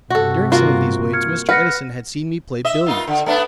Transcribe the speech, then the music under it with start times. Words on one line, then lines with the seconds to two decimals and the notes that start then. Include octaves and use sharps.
During some of these waits Mr. Edison had seen me play billiards.
0.10 G2 C3 F#4 A4 F#5 C#6
0.52 A#3 F4 F#4
1.13 F6 G#6 C#7
1.49 B4 F#5 F6 A#6 C#7
2.65 D#5 E5
2.86 A#3 D#4 F4
3.07 D3
3.26 A3 B3 D4